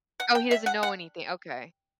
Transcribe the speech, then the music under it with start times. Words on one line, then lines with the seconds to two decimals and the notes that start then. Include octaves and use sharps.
Oh, he doesn't know anything, okay.
0.20 F#5
0.35 G5
0.51 E5
0.66 F#5
0.83 F#5